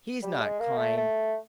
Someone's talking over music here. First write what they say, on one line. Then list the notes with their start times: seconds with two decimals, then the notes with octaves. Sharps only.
He's not kind.
0.23 G3
0.41 G#3
0.60 A#3
0.78 A3
0.97 A3